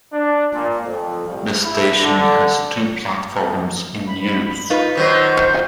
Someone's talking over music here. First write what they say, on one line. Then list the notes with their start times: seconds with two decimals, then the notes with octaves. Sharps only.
The station has two platforms in use.
0.13 D4
0.52 A#2
0.85 F2
1.27 C2
1.63 E4
2.00 D3
4.07 B5
4.70 D#4 F4 B4
4.97 D#3 F#3 C5 G6